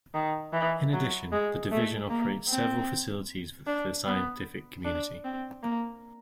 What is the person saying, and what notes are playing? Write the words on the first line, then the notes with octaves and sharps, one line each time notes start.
In addition, the division operates several facilities for the scientific community.
D#3
E3
F#3
G#3
A3
A#3
C4
D4
B3
D4
C4
A#3